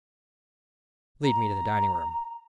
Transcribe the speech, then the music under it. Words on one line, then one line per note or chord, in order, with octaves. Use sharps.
"Lead me to the dining-room."
A#5